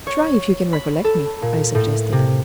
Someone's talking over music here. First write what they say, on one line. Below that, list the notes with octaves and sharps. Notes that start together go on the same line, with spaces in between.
"Try if you can recollect me," I suggested.
C#5
B5
A4
A#2
A2
C3